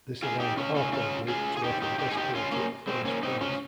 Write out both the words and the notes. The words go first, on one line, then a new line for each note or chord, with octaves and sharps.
This allowed Arcor Group to offer the best quality at the fairest price.
F4 G#4
D#4 G4
C#4 F4
C#4 F4
C#4 F4
F4 G#4
G#4
D#4 G4
D#4 G4
D#4 G4
G#4
D#4 G4
C#4 F4
A#3 C#4
G#3 C4
A#3 C#4
C4 D#4
C#4 F4